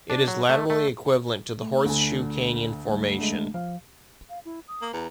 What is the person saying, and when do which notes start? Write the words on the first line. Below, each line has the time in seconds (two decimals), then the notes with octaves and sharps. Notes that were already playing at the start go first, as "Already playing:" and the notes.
It is laterally equivalent to the Horseshoe Canyon Formation.
0.10 D4
0.28 F#3
0.49 A3
0.70 A3
1.63 A3
1.85 D2 D3 G#5
2.89 G3 A3
3.19 G#3 A3 D4
3.54 F3 F5
4.30 F5
4.45 E4
4.68 D#6
4.82 A#3
4.93 E2 A#5